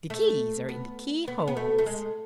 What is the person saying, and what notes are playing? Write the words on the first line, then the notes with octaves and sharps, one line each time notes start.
The keys are in the keyholes.
A3
B3
B3
B3
A3
A3
G#3